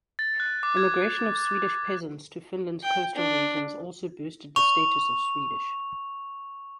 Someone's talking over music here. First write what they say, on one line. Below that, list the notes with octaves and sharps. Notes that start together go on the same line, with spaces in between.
Immigration of Swedish peasants to Finland's coastal regions also boosted the status of Swedish.
A6
F#6
D6
G#6
G#6
G5
D4
C#6 F7